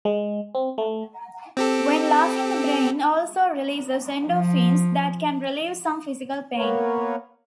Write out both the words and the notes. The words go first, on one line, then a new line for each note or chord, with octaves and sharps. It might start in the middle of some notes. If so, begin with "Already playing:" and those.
When laughing the brain also releases endorphins that can relieve some physical pain.
G#3
C4
A3
C4 G4 A4
F3
A#3 B3 A#4 B4 C#5